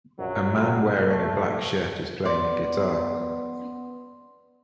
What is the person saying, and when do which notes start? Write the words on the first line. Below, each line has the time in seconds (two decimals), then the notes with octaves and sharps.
A man wearing a black shirt is playing a guitar.
0.19 A#1 F#2 F#3
0.53 A1 C3 F4
1.08 A3
2.25 B3 D5 C6